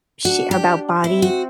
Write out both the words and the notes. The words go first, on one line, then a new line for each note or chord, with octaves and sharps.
sh about body
D4 F#4
G4
C4 E4
F#4